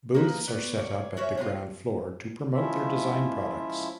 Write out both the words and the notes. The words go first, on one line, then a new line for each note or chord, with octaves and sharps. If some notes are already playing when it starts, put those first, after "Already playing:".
Booths are set up at the ground floor to promote their design products.
A#3 D#4 B4
B3 B4 C#5 D5
C#5 D5
C#4 F#4 C#5 E5
C3 B3 C4 F4
F3 G#3 C#4 E4 F4 E5